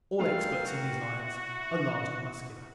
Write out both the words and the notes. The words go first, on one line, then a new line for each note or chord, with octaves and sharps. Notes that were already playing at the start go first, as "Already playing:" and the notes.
All experts in these lines are largely Muscular.
G#2 A3 A#4 F5 G5
F#4
E4